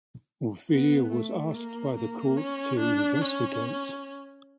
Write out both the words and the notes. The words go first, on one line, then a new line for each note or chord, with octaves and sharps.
Orfila was asked by the court to investigate.
B3
A3
A#3
A#3
C#4
D4
C#4